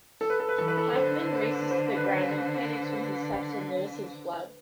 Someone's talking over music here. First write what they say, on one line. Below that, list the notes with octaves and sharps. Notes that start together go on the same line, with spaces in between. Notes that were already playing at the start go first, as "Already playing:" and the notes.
Hakman races to the ground and panics when he steps in Louis' blood.
A4
B4
A4
B4
E3 A4
B4
A4
D3 C5
C5
B4